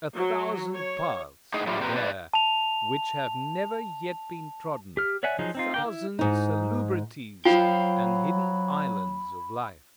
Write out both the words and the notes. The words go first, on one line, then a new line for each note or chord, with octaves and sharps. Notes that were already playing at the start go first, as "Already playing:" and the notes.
A thousand paths are there which have never yet been trodden; a thousand salubrities and hidden islands of life.
F#3
C#5
A2 D#4 G#4
F#3 A3 D4 E4 F4 G4
A#2 C4 G4 A#4 B4
D4 B4 D5
A5 F7
G4 F6
C#5 D5 E5 F#5 G#5
F3 F#3 D#4 G#4
C4 D#4 F4
D3 A#4 G5
E4
G#2 D#4
F#3 F4 C5 F5 G5 B5